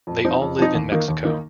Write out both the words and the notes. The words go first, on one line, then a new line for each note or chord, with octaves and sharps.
They all live in Mexico.
F2
F3 C4 D#4
F2
F3 C4 D#4
D#2
D#3 A#3 D#4
D#2
D#3 A#3 D#4